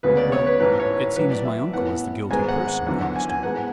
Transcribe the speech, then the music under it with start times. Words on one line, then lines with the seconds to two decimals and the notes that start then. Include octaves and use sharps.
"Well, it seems my uncle is the guilty person, Conniston."
0.03 D2 C#3 G#3 B3 B4
0.17 D5
0.32 C#5
0.46 B4
0.60 A1 G#2 E3 B4
0.80 C#5
1.16 A1 A2 F#3 B4
1.31 D5
1.45 E5
1.73 A1 A2 E3 B3 F#5
2.30 G#1 G#2 G#3 B3 G#5
2.48 F#5
2.68 F#5
2.87 E2 D3 F#3 F#5
3.01 F#5
3.16 G#5
3.29 G#5
3.43 A1 G#2 G#3 B3 F#5